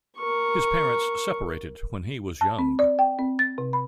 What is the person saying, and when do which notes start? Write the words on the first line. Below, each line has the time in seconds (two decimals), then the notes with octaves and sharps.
His parents separated when he was young.
0.17 A#4 C#6
2.41 A5
2.59 C4
2.79 D5
2.99 G5
3.19 C4
3.39 A6
3.58 C3
3.73 B5